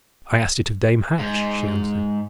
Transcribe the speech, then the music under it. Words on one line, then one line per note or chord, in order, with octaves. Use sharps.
"I asked it of Dame Hatch," she answered.
G#2